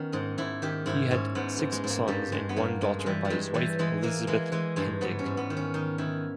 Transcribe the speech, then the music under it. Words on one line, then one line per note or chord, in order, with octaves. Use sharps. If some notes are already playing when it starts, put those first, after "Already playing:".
He had six sons and one daughter by his wife Elizabeth Kendig.
Already playing: D#3 B3 C#4
G#2 D#4
G#2 E4
D#3 G4
G#2 E4
G#2 C#4
G#2 B3
G#2
G#3
G#2
A#3
G2 G3
G2 G#3
B3
G2 A#3
G2 G#3
G#3
E3 G3
G3
G2 G#3
E3 G3
E3 G#3
E3 A#3
E3 G#3
E3 G#3
G2 G#3
G#2 B3
C#4
G#2
B3
D#3
C#4
D#3 D#4
D#3 E4